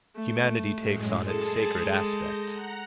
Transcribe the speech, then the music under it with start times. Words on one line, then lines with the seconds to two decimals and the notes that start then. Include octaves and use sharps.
Humanity takes on its sacred aspect.
0.16 A3
0.74 F#2 A2 G#3
1.25 G#3 G#4 A4 A5
2.08 G6 A#6
2.42 F#5 A#5